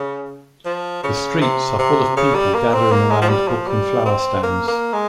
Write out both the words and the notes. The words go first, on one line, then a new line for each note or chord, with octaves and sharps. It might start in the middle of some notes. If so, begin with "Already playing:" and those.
The streets are full of people gathering around book and flower stands.
Already playing: C#3
F3
C#3
C3
C3
C#3
G3
A#3
C4
A#3
G#3
F3
G3
F3
G3
C4
A#3
A#3
G#3